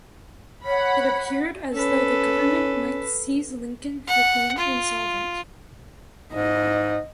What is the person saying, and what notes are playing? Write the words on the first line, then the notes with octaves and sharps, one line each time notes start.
It appeared as though the government might seize Lincoln for being insolvent.
C#5 F#5 B5
C#4 A4 B4
F#5
F4
G#2 D#5